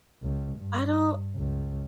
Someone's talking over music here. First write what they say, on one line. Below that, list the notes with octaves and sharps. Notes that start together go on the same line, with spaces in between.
I don't
C#2
G2
C#2